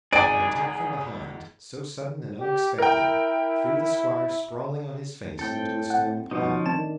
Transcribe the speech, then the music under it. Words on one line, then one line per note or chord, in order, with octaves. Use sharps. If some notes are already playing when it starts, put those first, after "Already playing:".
An attack from behind, so sudden and unexpected, threw the squire sprawling on his face into a stone pile.
G#1 C#2 G#2 G#4 D5 G#5 D7
G4
E4 A#4 G5
A2 C4 A4 G5
C4 F#5
B2 F3 C#4 D#4
A2 D#3 C4 D4 A5 E7